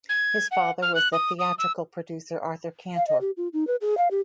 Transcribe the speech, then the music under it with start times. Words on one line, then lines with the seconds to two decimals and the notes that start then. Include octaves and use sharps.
His father was the theatrical producer Arthur Cantor.
0.09 G#6
0.51 F#5
0.82 F6
0.95 F#6
1.13 D#6
1.39 D#6
1.59 E6
2.96 F5
3.07 D#5
3.21 G4
3.37 F4
3.53 D#4
3.67 B4
3.81 G#4
3.97 F5
4.11 G4